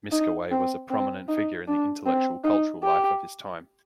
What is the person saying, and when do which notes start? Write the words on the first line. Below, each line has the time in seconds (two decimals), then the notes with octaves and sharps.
Miskawayh was a prominent figure in the intellectual and cultural life of his time.
0.12 D#4
0.51 C4
0.90 C4
1.28 D#4
1.68 D4
2.06 C4
2.44 D#4
2.83 G4